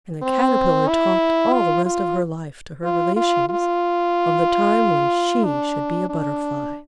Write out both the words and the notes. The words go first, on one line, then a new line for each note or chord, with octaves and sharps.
And the Caterpillar talked all the rest of her life to her relations of the time when she should be a Butterfly.
C4
E4
F4
F4
F4
F4
F4
D4
D4